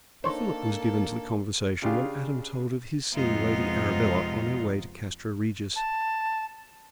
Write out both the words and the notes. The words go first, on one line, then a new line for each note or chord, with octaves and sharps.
A fillip was given to the conversation when Adam told of his seeing Lady Arabella, on her way to Castra Regis.
A#3 D4 D#4 A4 C5 C#5 A5
C#3 D4 F4 G4 G#4 F5
F2 C3 G#3 B3 D#4 F4
A5